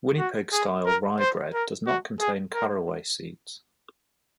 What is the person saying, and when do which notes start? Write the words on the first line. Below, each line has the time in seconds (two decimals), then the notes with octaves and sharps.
Winnipeg-style rye bread does not contain caraway seeds.
0.18 F#4
0.53 G#4
0.86 A#4
1.20 C5
1.54 A#4
1.87 F#4
2.20 G#4
2.54 A#4